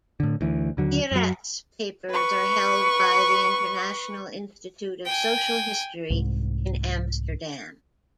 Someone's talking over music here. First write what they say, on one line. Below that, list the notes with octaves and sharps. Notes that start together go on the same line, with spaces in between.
Peirats papers are held by the International Institute of Social History in Amsterdam.
A2 D3
D2 E3
D#2 D3 F#3
F#2 F#3
B4 C#6
G5 G#5
C2 G#2